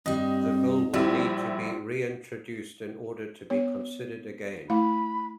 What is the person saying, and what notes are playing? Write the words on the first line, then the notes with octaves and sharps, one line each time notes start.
The bill will need to be re-introduced in order to be considered again.
G2 G3 C4 D#5
A#1 G3 E4
B3 C#5
A3 E4 F5 B5